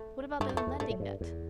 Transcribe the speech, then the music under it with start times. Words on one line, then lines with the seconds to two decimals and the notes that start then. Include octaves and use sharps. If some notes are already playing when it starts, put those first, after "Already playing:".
"What about a landing net?"
Already playing: A3
0.40 G2 A3
0.49 G3
0.54 E2 A3
0.67 E2
0.80 G2 A3
0.90 A2
1.00 G2
1.21 E2